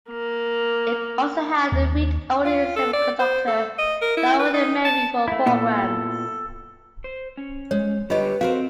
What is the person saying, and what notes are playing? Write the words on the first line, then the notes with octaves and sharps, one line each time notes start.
It also had read-only semiconductor diode memory for programs.
A#3
D#2
F4
A4
D5
C5
A4
D#5
A#4
E4
B4
D#4
A5
A3 E4
A#2 B3 E4 A4
C5
C#4
G#3 C#5
D3 G3 F4 G4 B4 C#5 D#5
C4 F#4 A#4 C5 F5